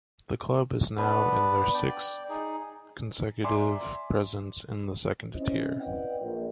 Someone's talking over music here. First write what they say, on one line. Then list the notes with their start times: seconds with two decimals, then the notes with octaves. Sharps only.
The club is now in their sixth consecutive presence in the second tier.
0.97 B3 D4 B4
1.74 D5 G5
2.29 D#4 G#4
3.44 D5 E5 G#5 A#5 C6 D6
5.35 C4 C#4 E4 C5 D#5
5.80 B4 D5 D#5 F#5 G5
6.20 A#1